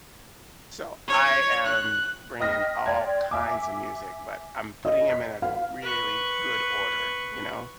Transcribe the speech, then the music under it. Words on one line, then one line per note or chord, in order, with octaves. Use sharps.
So I am bringing all kinds of music, but I'm putting 'em in a really good order, you know?
C#5
F#6
D#5 G5 D#6 F6 A#6 B6
D5 G5 C6 G#6
E5 G#5 D6
D#5
B6
F5
B4 C#6